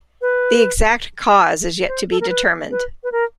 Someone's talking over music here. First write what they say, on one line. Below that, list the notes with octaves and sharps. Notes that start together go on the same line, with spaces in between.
The exact cause is yet to be determined.
B4
C5
A4
A#4
B4
B4
B4
A#4